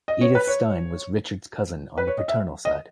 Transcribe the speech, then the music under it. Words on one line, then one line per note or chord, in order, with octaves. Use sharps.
Edith Stein was Richard's cousin on the paternal side.
D#5
C#5
B4
C#5
B4
C#5
D#5
E5
D#5